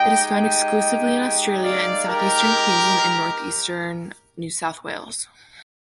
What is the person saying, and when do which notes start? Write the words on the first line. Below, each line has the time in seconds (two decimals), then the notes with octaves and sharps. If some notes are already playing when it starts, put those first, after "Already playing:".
It is found exclusively in Australia in southeastern Queensland and northeastern New South Wales.
Already playing: G#3 D#4 G4 D#5 G5
0.31 D#5 G5
1.63 D5 F5
2.08 G4 A#4